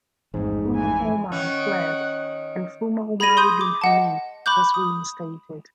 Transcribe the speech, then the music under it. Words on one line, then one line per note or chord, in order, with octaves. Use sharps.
Fumo Oman fled and Fumo 'Umari bin Hamid was reinstated.
A1 F2 G#2
E3 G#5
D#3 C#4 D#4 F#5
G#4 B5 G#6 A#6 D#7
C6 D#6 G6 D#7
D6
D#5 F#5 A5
B5 C#6 D6 F#6 G6
D#6